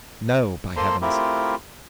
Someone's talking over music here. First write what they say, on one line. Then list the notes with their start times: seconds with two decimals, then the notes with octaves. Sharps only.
No! by heavens!
0.76 A#3 A4 C5 A#5 C6
1.02 A3 C4 E4 F4 G4 A#4